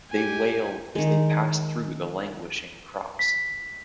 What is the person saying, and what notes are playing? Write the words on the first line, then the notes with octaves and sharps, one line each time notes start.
They wail as they pass through the languishing crops.
G4 G#5
D#3 G#3
B6